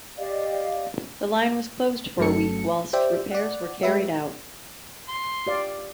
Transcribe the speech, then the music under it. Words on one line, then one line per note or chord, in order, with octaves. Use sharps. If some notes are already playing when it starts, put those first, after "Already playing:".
The line was closed for a week whilst repairs were carried out.
G4 D5 D#5 F5
G1 F#3 A3 C#4 A4 C#7
G4 C5 D5 E5 G5
D5 F#5
G#3 G4 B4 E5
C6
G4 D5 F5